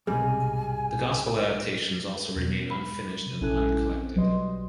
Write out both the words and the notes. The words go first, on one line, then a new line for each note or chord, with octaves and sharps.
The Gospel adaptations also remain unfinished and uncollected.
B1 G#2 C3 G3 G#4 G#5 F6
E2 B2
B5
C3 D#7
A#1 C#4 E4 A4 G#5 F#6
C4
B1 F#3 G3 B4 D#5 C6